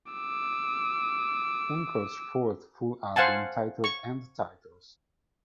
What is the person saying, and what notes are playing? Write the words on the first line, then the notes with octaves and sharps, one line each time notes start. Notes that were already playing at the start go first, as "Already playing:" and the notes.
Unkle's fourth full album titled End Titles...
D6 E6
C5 F5 F#5 G#5 A5
C#6